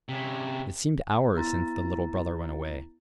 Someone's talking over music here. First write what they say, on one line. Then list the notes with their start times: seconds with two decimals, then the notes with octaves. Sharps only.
It seemed hours since the little brother went away.
0.09 C3 C#4
1.35 B3 E4 A#5 A6